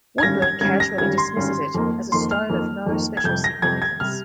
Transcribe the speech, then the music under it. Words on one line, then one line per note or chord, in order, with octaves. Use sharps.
Woodburn casually dismisses it as a stone of no special significance.
G#6
G#1 G2 G3 C#4 A#6
G#6
G#1 G2 G3 C#4 G#6
A#6
G#1 G2 G3 C#4 G#6
C6
G#1 G2 G3 C#4
F2 D#3 A#3
F2 D#3 A#3 C6
F6
F2 D#3 A#3
F2 D#3 A#3
G#6
F2 C3 G3 G6
A#6
F2 C3 G3 G#6
G#6
C3 G3 F6